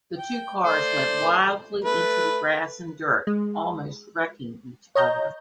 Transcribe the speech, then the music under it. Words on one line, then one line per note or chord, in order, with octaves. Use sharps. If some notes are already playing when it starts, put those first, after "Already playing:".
The two cars went wildly into the grass and dirt, almost wrecking each other.
G5
A3 C5 D5
A3 B4
G#3
C#5 D#5 A#5 G6